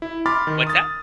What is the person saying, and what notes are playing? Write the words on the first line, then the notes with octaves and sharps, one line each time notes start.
What's that?
E4
B5 C6 D6 F6 A6
D#3
D#6 A6